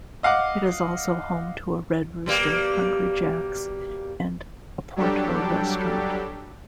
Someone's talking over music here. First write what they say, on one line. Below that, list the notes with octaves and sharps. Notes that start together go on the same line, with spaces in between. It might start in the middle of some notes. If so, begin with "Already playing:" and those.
It is also home to a Red Rooster, Hungry Jacks and Oporto Restaurant.
D#5 F5 F#5 D6
B2 G3 A#3
F#3 G3 D4 G4 A4